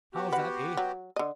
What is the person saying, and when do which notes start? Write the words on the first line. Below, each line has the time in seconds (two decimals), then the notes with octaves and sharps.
How's that, eh?
0.15 B3 F#4 G4
0.33 B4 F#5
0.77 F#3
1.16 D3 D#5